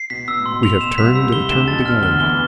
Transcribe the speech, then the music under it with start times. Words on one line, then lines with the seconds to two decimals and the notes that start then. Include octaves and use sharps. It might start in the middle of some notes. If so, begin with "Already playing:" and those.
"We have turned and turned again."
Already playing: C7
0.10 B2 B6
0.28 B2 E6
0.40 A2
0.46 C6
0.52 B2
0.63 F7
0.80 B2 E7
0.98 C2 C3 B6
1.15 C2 C3 E6
1.32 G7
1.40 C3
1.50 D2 D3 E7
1.68 F2 F3 A6
1.85 B2 F6
2.02 D2 D3 G7
2.20 E2 E3 G7